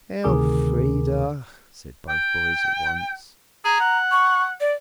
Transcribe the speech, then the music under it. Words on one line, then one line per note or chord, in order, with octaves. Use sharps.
"Elfrida!" said both boys at once.
D2 C3 D#3 G#4 A#4 D6
G5
G#4 A#5
F#5
C#6
D5